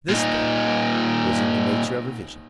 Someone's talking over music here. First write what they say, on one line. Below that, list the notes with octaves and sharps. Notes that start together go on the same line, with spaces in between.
This, then, was in the nature of a vision.
A#2 D#4